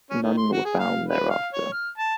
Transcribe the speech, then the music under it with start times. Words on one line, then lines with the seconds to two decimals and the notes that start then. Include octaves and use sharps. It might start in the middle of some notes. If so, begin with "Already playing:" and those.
None were found thereafter.
0.10 C#4
0.22 D#3
0.37 C6
0.53 F#4
0.65 G#4
0.79 F5
1.08 B4
1.30 F5
1.53 C#5
1.73 F6
1.98 A5